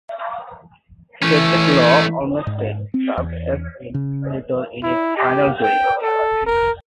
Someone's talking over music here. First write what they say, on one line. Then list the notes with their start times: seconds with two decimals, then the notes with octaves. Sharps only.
Frederick Law Olmsted served as its editor in its final two years.
1.23 E3 A3 C#4
2.47 G#2
2.94 C4
3.17 E2
3.94 C#3
4.83 E4
5.17 G4
5.63 G5
6.02 A4
6.46 A#4